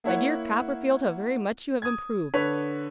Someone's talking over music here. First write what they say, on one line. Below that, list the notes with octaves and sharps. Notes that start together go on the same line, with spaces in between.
My dear Copperfield, how very much you have improved!
A#3 E4 C#5 F#5
D#6 G#6
D3 B4 C#5 B6 F7